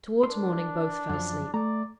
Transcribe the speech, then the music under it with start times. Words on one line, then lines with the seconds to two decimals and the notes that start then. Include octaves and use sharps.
Towards morning both fell asleep.
0.23 D4 A#4 C6
1.10 F#2 F3
1.54 A3 D5 A#5